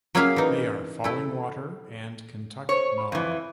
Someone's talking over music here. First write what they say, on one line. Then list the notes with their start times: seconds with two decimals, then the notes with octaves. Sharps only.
They are Fallingwater and Kentuck Knob.
0.15 F#3 A#3 C#4 G#4 E5 F5
0.36 E3 D#4
1.04 A3 E4
2.69 C5 C#5 C#7
2.98 B5
3.12 F2 E3